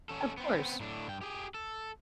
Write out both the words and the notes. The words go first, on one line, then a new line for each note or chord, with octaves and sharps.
Of course.
C#4 A4
B3 C4
A2 D4
G2 G5
G4 G#4
A4